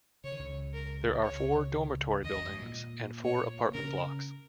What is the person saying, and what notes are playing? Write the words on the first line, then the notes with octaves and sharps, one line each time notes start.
There are four dormitory buildings and four apartment blocks.
C#3 C#5
D#3
C#2 C#3
A#4
C#2 C#3 C#5
D#2 D#3 D#5
F2 F3
G#2 G#3
A#2 A#3
A#2 A#3 C#5
C#3 C#4 A#4